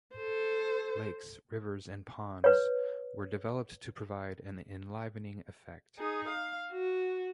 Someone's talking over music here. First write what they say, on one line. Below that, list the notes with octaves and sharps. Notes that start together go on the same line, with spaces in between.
Lakes, rivers and ponds were developed to provide an enlivening effect.
A4 C5
B4 C#5
D#4 G#4
F5
F#4